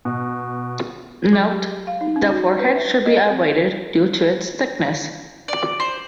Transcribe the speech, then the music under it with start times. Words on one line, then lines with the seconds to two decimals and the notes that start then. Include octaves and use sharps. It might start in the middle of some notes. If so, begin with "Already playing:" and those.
Note: The forehead should be avoided due to its thickness.
0.05 B2
1.33 F#3
1.51 G4
1.87 F5
2.01 D#4
2.16 C#4
2.30 F#4
2.59 B4
2.76 E5
3.06 D#5
3.30 C4
5.48 D5
5.80 C5